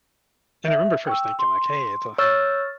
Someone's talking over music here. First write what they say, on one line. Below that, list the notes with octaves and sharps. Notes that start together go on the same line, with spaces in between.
and I remember first thinking like, "Hey, it's a"
E5
G5 C#6 E6
C6
C#5 C#6 E6 F6 A6